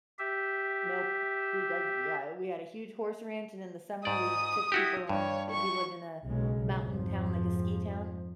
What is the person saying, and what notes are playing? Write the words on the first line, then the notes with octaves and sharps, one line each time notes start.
Nope. We go Yeah, we had a huge horse ranch, and in the summer, we took people on g We lived in a mountain town, like a ski town,
G4 E5
G#2 D5 D#6
E4 F#4 G4
G2 C#5
C#6
B1 C#3 G#3
F2 G#2 F3